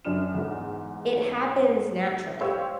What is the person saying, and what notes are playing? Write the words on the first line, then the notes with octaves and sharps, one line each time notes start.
It happens naturally.
F#2 D4 F6 E7
E2 G#2
G4 C5 C#5 F5 G5 E6